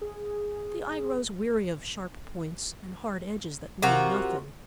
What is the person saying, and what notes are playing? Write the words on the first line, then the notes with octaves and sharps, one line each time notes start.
The eye grows weary of sharp points and hard edges that mean nothing.
G#4
C3 F4 F#4 A#4